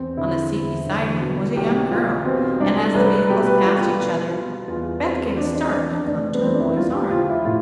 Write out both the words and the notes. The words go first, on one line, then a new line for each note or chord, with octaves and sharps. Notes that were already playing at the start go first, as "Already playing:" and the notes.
On the seat beside him was a young girl, and as the vehicles passed each other Beth gave a start and clung to the boy's arm.
Already playing: E2 C4
D3 E4
E2
D3
B2
B1 G4
B2 F4
B2 C4
C2 D4
A4
C2 B4
A4
B4
B2 G4
B4
F4
B2 G4
F4
B2
B2
E2 F4
E2 C4
E3 D4
C4
D4
E3 D4
D4
F1 D4
B3
F2 C4
D4
E4
B1 F4
G4
F3 F4
E4
A2 F4